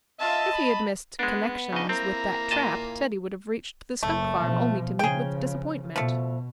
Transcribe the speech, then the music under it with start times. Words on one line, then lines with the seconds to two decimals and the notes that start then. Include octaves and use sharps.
"If he had missed connections with that trap Teddy would have reached the skunk farm only to meet with disappointment."
0.20 F4 D#5 E5 A5
0.53 B5
1.19 G#3 B3 D4
1.73 C#3 D4 D#4 D#5
1.89 A#3 C4 E4 A#5
2.51 A#2 D#5 A5
4.03 F#1 A3
4.42 B2 F3
4.99 C#3 F3 G#4 G5
5.96 B2 F3 A3